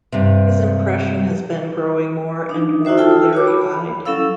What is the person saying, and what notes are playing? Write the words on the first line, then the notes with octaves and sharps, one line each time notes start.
His impression has been growing more and more bleary-eyed.
G2 C3
D4 D#4
D#4 E4 F#4 C5 E5
E4 F4 A4 G5 A5 E6
F#4 C#5 D6
B5
F#3 C#4 E4 A4 F5 E6